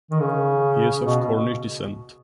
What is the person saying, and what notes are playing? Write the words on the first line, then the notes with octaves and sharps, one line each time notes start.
He is of Cornish descent.
D#3
C#3
B2